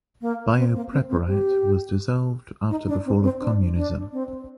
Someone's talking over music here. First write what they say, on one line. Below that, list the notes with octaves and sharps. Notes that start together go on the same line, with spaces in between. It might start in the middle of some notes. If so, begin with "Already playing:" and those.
Biopreparat was dissolved after the fall of communism.
A#3
C4
A#3
C4
C4
G4
D#4
D4
C4
C4
D4
D4
C4